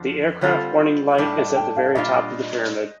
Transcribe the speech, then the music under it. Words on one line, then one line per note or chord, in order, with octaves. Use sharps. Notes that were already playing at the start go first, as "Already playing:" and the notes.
The aircraft warning light is at the very top of the pyramid.
Already playing: F2 D3 F3
D3 G3 C4 F4 A4
A2 G3 D4 A4 D5
D#5
G5
F5
A#2 G3 D4 F4 D#5